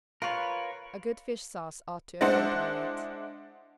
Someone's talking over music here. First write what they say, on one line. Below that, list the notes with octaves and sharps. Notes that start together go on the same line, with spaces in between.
A good fish-sauce ought to accompany it.
F4 A#4 B4 C#5 C#6
G#3 D4 E4 C5 F#5